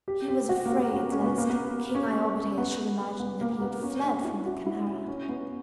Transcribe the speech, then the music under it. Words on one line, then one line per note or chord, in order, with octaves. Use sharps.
He was afraid lest King Iobates should imagine that he had fled from the Chimaera.
G4
G4
F#4
A#3
B3
C#4
C#4
B3
A#3
B3
C#4
B3
B3
A#3
B3
C#4
D4
E4
F#4
E4
C#4
C#4
B3